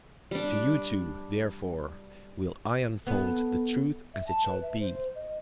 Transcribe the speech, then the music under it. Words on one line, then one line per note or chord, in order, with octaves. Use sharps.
To you two, therefore, will I unfold the truth as it shall be.
G3 D4
B3 A4
E5
A5
B4
E5
C5
D#5